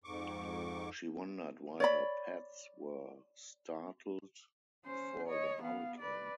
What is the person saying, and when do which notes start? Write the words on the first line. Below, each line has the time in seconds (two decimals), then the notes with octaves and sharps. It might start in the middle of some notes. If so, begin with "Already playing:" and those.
She wondered why her pets were startled before the hurricane.
0.04 F2 G#2 C#6 D6
1.80 C#5 D5 B5
4.85 C#4 C5
5.28 C#5 D#5
5.63 B3 F5
5.99 B4 D5